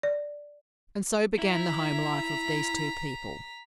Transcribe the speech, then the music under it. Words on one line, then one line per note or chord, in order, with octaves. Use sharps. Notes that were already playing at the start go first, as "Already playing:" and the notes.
And so began the home life of these two people.
D5
E4 A#5 B6